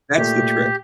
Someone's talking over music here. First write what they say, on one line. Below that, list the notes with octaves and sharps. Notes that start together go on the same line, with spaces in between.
that's the trick.
A#2 A3 G4